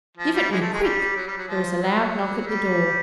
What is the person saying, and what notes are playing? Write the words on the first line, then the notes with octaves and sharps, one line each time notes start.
"Give it me, quick!" There was a loud knock at the door.
F3
G3
G#3
A3
G#3
G3
F#3
G3
F#3
F3
F#3
G3